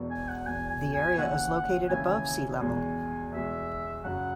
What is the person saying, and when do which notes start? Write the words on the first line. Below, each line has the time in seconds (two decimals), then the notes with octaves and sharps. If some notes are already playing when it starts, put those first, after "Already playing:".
The area is located above sea level.
Already playing: E1 E2 B2
0.11 G#5
0.28 F#5
0.46 E1 E2 B2 G#5
0.69 G#5
0.94 G#5
1.18 D#2 C#3 E3 A3 F#5
1.89 D#2 C#3 E3 A3 G#5
2.61 E2 B2 G#3 G#5
3.32 E2 B2 G#3 E5
4.04 F#2 C#3 F#3 F#5